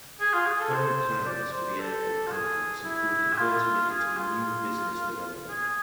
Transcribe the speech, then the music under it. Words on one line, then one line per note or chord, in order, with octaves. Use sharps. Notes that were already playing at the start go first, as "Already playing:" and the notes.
Current plans for the airport complex include converting it into a new business development.
G#4
F4
G#4
A4
C5
D5
C5
A4
F4
G#4
E4
G#4
F4
G#4
F4
G#4